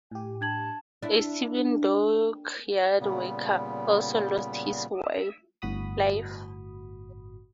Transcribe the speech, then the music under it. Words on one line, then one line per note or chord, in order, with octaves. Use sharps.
A civilian dockyard worker also lost his life.
A2 G4 G#5
D4 A5 G#6 F#7
D4 E4
A#2 C#3 G3 B3
G1 A2 F#4 B5 D#6